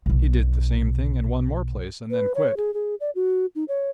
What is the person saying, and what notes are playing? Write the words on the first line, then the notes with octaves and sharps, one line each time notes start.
He did the same thing in one more place and then quit.
B1 B2
B4
C#5
G#4
G#4
D5
F#4
D#4
C#5